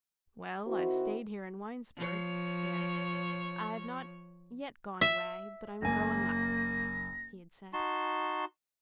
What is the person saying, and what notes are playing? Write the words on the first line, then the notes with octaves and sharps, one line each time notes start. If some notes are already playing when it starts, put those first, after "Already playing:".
"Well, I've stayed here in Winesburg--yes--I've not yet gone away but I'm growing up," he had said.
D#3 C4 E4 F#4
F3 C#5
E5
F#1 A#3 G#5 A#6
D#4 F#4 A5 C6